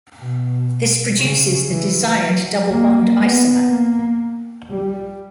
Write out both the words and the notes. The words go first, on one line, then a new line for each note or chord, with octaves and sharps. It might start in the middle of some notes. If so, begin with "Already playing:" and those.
This produces the desired double bond isomer.
B2
C#3
E3
F#3
A#3
B3
A#3
G3